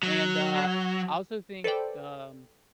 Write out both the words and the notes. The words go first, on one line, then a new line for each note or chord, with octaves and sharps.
and, uh, I also think, um
F#3
A4 B4 C5 D5 G5